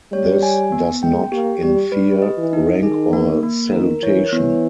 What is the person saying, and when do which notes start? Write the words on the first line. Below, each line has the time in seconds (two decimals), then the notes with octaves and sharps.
This does not infer rank or salutation.
0.13 G3 C#5
0.43 G#5
0.72 B3
1.03 G#3 G5
1.32 A#3 G4
1.63 G3 G4
1.92 G3 B4
2.22 D#5
2.38 E3
2.53 D#4
2.82 D#3 G#4
3.13 A#3
3.43 A#3
3.72 D#3 A#4
4.02 E3 C#5
4.32 E3 B3